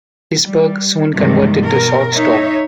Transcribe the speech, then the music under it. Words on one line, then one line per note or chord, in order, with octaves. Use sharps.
Risberg soon converted to shortstop.
G3
G2 C3 D#3 E3 G3 G#3
B2 A#4
D#4 C#5 E5